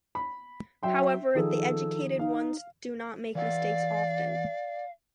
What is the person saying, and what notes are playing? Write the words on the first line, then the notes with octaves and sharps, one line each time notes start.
However, the educated ones do not make mistakes often.
B5
F#3 E5 G5 C6
D#3 F3 G#4 A4
D#4 F5
E3 D5 F5 F#5